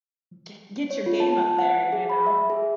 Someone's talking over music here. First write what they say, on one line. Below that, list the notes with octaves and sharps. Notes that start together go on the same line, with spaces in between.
gre get your game up there, you know,"
C#5
F4
A5
A5
F#5
G#4
B5
E5
G#4